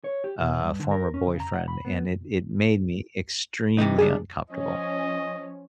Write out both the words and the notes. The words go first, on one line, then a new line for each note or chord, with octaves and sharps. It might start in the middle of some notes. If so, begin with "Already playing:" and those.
uh, former boyfriend, and it it made me extremely uncomfortable.
C#5
G4
B2
G2
D3
A#4
C#4
C#3
A#5
F#5
B5
B3
C3 E3 D#4
C#2 G3 D4 G#4
F3 C#4 D#5